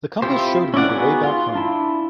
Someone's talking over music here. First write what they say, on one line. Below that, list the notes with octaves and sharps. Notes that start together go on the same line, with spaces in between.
The compass showed me the way back home.
C4 E4 F4 G4 C5
C#4 E4 D5 F#5
B3 D#4 F#4 G#4
F4 C6
D4 E4